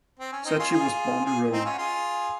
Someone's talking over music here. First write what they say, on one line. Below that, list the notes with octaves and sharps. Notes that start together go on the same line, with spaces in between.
Sacchi was born in Rome.
C4
C#4
C4 D#4
C#4 F4
F4 G#4
F4 G#4
C4 D#4
C#4 F4
F#4
F4 G#4